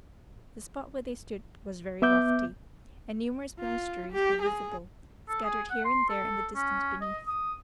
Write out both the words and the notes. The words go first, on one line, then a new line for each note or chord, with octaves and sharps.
The spot where they stood was very lofty, and numerous monasteries were visible, scattered here and there in the distance beneath.
B3 E5 D6 G6
F4
G4
G#4
A4
G#4
F#5
C6
A4
C#4
D#5
D#6